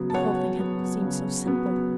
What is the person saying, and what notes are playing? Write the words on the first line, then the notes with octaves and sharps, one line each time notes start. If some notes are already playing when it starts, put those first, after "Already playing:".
The whole thing had seemed so simple.
Already playing: C#3 F#3 B3
A5
C#3 C#5 F#5
F#3 B3
C#3
F#3 B3